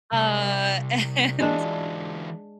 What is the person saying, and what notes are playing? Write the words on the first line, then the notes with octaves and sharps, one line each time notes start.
Uh, and
C2
E3 F#3 G#3 D4